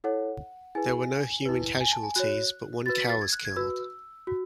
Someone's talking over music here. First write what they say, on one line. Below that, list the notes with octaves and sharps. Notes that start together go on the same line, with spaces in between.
There were no human casualties, but one cow was killed.
E4 A4 C#5 F#5
E4 G#4 B4 G#5
E4 B4
G#5
A5
G#5
F#4 C#5 F#6
F#4 B4 A6
B6
A6
G#6
F#6
G#6
F#4 B4 E6
F#4